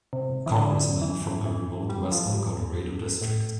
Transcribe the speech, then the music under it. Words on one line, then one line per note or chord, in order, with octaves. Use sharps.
Congressman from a remote Western Colorado district.
C3
E3
D3
E3
E3
G3
F3
G2
A2